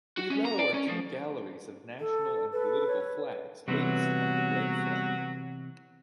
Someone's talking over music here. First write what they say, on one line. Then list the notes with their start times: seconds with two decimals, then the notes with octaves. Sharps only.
Below are two galleries of national and political flags based on the red flag.
0.17 F#4
0.30 C#4
0.45 A#5
0.59 D5
0.74 C#4
0.88 F3
1.99 A4
2.52 A4 B4
2.87 C#5
3.68 C3 E3 F#3 G3 B3 F#4